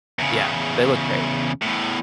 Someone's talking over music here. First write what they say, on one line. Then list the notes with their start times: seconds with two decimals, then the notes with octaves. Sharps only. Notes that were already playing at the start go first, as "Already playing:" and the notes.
Yeah, they look great.
0.19 E2 C#3
1.62 E2 A2